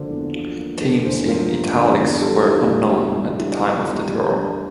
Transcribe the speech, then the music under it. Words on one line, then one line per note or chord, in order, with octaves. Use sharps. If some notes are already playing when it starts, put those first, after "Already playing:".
Teams in "Italics" were unknown at the time of the draw.
Already playing: D3 F3 A#3 C5 D5
E2
F3
A#3
D3 A#4
E2 C5
F3 A#4
A#3
D3
E2
G3 A4
D4 E4
F4
D3
E2 G4
G3 F4
F4
D4 E4
D3 F4
E2
G3
D4